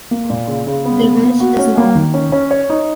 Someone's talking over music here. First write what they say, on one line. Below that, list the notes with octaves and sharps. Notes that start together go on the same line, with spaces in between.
The ridge is long.
A#3
A#2
C#3
C#3
B3
B3
A#3
F#4
C#4
A#3
D#3
C#4
C#4
C#5
D#4